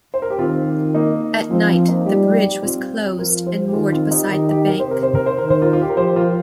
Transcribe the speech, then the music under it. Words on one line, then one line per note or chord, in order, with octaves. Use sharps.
At night the bridge was closed and moored beside the bank.
C5
A#4
G4
D#3 C4 F4
A#3 D#4
F3 C4
C4
A#3 D#4
G3 D#4 G4
C4 F4
F3 F4 A#4
G4 C5
G4
D#3 F4 A#4
C4 F4
D#4 G4
D#3 D#4 G4
D#4 G4
A#4
C5
C3 A#4
C5
A#4
C5
D#3 A#4
C5
F4 A#4
F4
G4
A#4
F3 G4 C5
F4 A#4